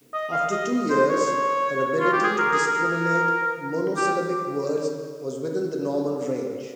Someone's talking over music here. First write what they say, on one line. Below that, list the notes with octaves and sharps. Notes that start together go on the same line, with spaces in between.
After two years, her ability to discriminate monosyllabic words was within the normal range.
D#5
F5
D#5
C5
C#5
F4
G4
G#4
A#4
G#4
A#4
G4